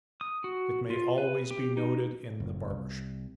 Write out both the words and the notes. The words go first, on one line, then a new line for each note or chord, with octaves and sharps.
It may always be noted in the barber shops.
D#6
F#4
F4
B4
G4
D#4
F#1
C2